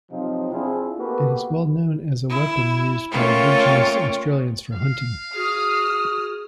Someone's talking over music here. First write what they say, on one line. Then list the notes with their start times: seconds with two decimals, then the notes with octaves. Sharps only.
It is well known as a weapon used by Indigenous Australians for hunting.
0.11 C3 F3 F#3 C4 D#4 F4
0.52 C4 D4 E4 F4 G#4
0.98 A#3 B3 F#4 G4 A4 B4
2.29 E4
3.12 A3 A#3 C#4 F4 C#5 G5
4.73 F5
5.35 F#4 G#4 D#6 F6